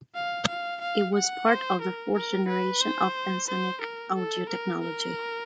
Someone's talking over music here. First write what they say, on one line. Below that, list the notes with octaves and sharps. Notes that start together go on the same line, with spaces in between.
It was part of the fourth generation of Ensoniq audio technology.
F5
F5
F5
F#5
C5
A#4
A#4
B4
C5
C5
A#4
A4
A#4
A#4